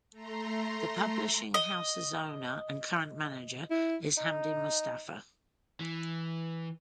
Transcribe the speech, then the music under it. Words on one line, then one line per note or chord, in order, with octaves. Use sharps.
The publishing house's owner and current manager is Hamdi Mustafa.
A3 A#5 C6
D#5
E4
D#4
E3